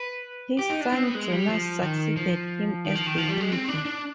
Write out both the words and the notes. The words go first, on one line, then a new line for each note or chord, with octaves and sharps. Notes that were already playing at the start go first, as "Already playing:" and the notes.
His son Jonas succeeded him as the leader.
Already playing: B4
G4
D#4
D4
C4
B3
G#3
G3
F3
D#3
F3
D#3
F3
D#3
F3
G3
G#3
C4
D4
D4